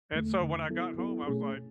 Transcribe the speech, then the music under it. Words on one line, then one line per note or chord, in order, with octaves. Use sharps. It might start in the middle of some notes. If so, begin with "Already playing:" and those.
and so when I got home, I was like
E2 D3 A3
E2 D3 A3
F#3 B3 E4 A4
F#3 B3 E4 A4
B2 A3 C#4 G#4